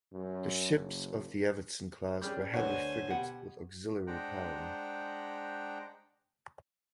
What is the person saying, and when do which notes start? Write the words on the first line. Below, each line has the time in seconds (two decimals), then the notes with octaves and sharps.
The ships of the "Evertsen" class were heavy frigates with auxiliary power.
0.13 F#2
0.73 F#1
2.22 G3 C#4 G4 G#4 F6 G6
2.54 D2 B3 D4 F#4 C5 C#5 F#5 G#5
3.10 B2 G4 F#5
4.07 G#3 D4 C5 F#5 G5 A#5